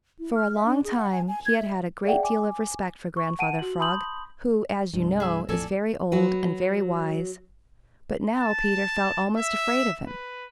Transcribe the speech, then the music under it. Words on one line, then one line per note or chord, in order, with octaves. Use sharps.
For a long time he had had a great deal of respect for Grandfather Frog, who, as you know, is very old and very wise, but now Peter felt almost afraid of him.
E4
F6
E5
D4
G#4
F#5
G#5
G#5
G#6
E5
G#4 D5 E5 F#5 G5
G#5 D6
C#6
F#5 A5 D7 D#7
F#4 F#7
A5 B5 C6 D#6 G6 F#7
C2 G2
G#4 E5
A#1 F2 A2 A4 D5 G#5
F#3 F#4 B4
A5
E5
B4